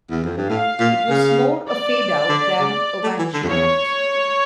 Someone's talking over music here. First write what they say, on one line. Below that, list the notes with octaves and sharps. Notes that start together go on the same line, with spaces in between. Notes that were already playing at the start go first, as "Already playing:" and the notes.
It was more a fade-out than a vanishing act...
E2
F2
G2
A2 F5
A#2
C#3
D5
D3
C#3
A3
E3
D3
F2
E2 C#5